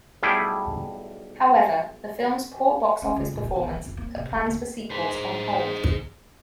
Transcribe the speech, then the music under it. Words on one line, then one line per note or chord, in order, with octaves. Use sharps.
However, the film's poor box office performance put plans for sequels on hold.
B1 G3 A3 E4 G#4 G5
C#4
C#2
A#2
D#4
B1
D#3
F1
A#3
C3
G#3
D2
G#4 C5